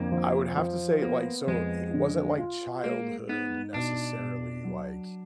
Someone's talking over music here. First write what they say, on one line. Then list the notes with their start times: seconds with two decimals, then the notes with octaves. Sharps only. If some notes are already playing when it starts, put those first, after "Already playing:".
I would have to say like, so it wasn't like childhood necessarily, like,
Already playing: F2 D3 A#3
0.12 F3
0.57 F3
1.02 A#3 B3
1.47 F2 G#3
1.94 D3
2.38 F4
2.83 G#3 A#3
3.29 B3 D#4
3.74 B2 D4
4.19 B2
4.65 F#3